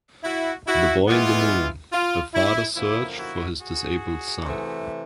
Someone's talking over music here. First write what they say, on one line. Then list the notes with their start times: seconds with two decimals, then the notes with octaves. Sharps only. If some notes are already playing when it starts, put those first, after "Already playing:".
The Boy in the Moon: A Father's Search for His Disabled Son.
0.23 E4 F#4
0.66 E4 F#4
1.08 E3 G#3 B3 E4 F4
1.92 F4
2.34 E4
2.75 F#2 D3 F3 A#3 E4
3.17 E4 F#4
3.60 F#4 G#4
4.43 C3 E3 A3